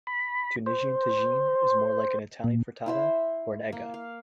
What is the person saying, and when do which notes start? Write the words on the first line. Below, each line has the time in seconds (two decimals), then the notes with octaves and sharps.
Tunisian tajine is more like an Italian frittata or an eggah.
0.07 B5
0.66 C5
2.44 A#2
2.86 E4 C5 E5
3.72 A#3
3.94 F5